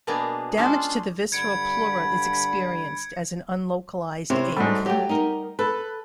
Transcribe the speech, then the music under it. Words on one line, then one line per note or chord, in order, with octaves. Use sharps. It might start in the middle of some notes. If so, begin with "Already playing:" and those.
Damage to the visceral pleura is experienced as an un-localized ache.
B2 A#3 B3 D4 G#4 A#5
G#3 C#4 D4 F4 G#4 C5
G2 D3 B5 G#6 C#7 D7
C3 E4 C5 C#5
G#2 F#3 G3 A3
F#3 A3 G4 G5
D#4 A#4
A4 B4